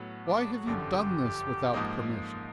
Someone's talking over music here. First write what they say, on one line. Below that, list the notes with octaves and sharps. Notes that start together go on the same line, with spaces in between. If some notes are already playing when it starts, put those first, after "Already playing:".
Why have you done this without permission?
Already playing: A2 F#3 B3
D4
D4
F#4
G1 F#2 D3 F3 G4
G#2 F3 A#3 D#4